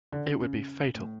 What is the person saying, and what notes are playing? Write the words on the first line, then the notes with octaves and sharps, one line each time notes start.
It would be fatal.
D3
C#3
C#3
A2